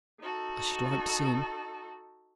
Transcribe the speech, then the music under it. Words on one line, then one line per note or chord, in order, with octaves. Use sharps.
"I should like to see him."
D#4 F#4 A4